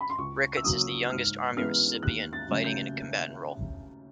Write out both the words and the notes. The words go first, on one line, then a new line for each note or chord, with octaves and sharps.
Ricketts is the youngest army recipient fighting in a combatant role.
B5
C6
C#2 C#6
E6
C#3 F#3 A#3 D#6
G#2 F6
E3 G#3 B3 F6
D#2 F#6
A6
C#3 F#3 A3 C#4
G6